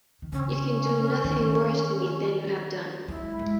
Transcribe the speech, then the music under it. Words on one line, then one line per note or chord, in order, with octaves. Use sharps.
You can do nothing worse to me than you have done.
D#3
C#3 C#4
C4
C#4
D#3
G#3 E4
G#3